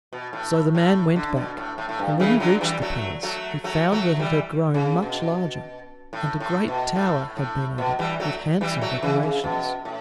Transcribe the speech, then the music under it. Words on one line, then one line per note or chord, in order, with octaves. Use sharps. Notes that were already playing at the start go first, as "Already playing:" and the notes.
So the man went back, and when he reached the palace he found that it had grown much larger, and a great tower had been added, with handsome decorations.
B2
A2
A2
D3
B2
A2
A2
A2
G2
C#3 E3
D3 F#3
E3 G3
F#3 A3
F#3 A3
F#3 A3
F#3 A3
E3 G3
C#3
B2
A2
A2
B2
A2
A2
B2
E3 G3
F#3 A3
E3 G3
F#3 A3
C#3 E3
C#3
B2
A2